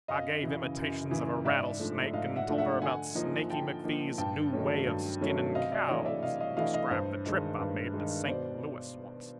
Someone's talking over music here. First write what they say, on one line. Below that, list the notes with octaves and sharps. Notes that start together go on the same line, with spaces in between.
I gave imitations of a rattlesnake, and told her about Snaky McFee's new way of skinning cows, and described the trip I made to Saint Louis once.
F#2 D#5 F5
C#3 E3
F#2
C#3 E3
G#2 D5 E5
F3 A3 D4
G#2 D#5 F5
E5 F#5
F3 A3 D4
E5 F#5
D3 F#5 G#5
F3 A#3 D#4
D3 G5 A5
F3 A#3 D#4
G2 G5 A5
D#3 F#3 A3 C#4
G2
D#3 F#3 A3 C#4
C3 D#5 F5
D5 E5
E3 A3 D4 C#5 D#5
D5 E5
C3 D#5 F5
D#5 F5
E3 A3 D4 D#5 F5
D#5 F5
G2 C5
D#3 G#3
G2
D#3 G#3
B2 C5 D5